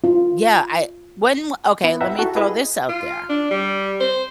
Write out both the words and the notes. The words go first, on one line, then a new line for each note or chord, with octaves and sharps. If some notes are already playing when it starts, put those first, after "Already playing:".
Yeah, I when okay, lemme throw this out there.
F4
B3 E4
B4 D#5 E5 F#5 G5 A#5
E4 F#4 A4 A5
E4 G4 G#4 B4 D#5
F4
D4
G3
C5